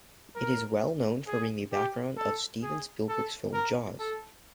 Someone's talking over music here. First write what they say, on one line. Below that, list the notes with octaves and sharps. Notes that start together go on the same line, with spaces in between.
It is well known for being the background of Steven Spielberg's film "Jaws".
A#4
G#4
G4
A4
G#4
A4
A#4
A4